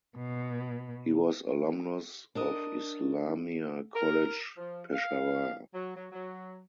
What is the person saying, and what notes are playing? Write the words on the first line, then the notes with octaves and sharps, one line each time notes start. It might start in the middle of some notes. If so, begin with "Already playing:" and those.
He was alumnus of Islamia College Peshawar.
B2
D4 A#4 D#5
A#4
F3
F5
F#3
F#3
F#3